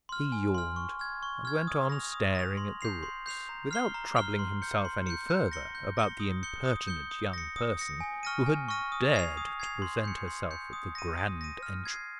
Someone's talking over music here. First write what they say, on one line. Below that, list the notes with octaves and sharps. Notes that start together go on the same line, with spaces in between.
He yawned, and went on staring at the rooks, without troubling himself any further about the impertinent young person who had dared to present herself at the grand entrance.
C6 F6
G#5
C6 F6
C#6
F6 G#6
C#6
F6 G#6
D#6
A#6 F7
D#6
A#6 F7
C6
G6 C7 F7
C6
G6 C7 F7
A#5
F6 C7 G7
A#5
F6 C7 G7
C6
G6 C#7
C6
G6 C#7
G6
A#6 C#7 G7
G6
A#6 C#7 G7
D#6
G6 C#7 G7
D#6
G6 C#7 G7
D#6
A#6 C#7
D#6
A#6 C#7
G#5
C#6 F6 A#6 D#7
G#5
C#6 F6 A#6 D#7
D#6
G#6 C7 F7
D#6
G#6 C7 F7
C6
G6 C#7
C6
G6 C#7
D#6
A#6 D#7
D#6
A#6 D#7
F6
G#6 C7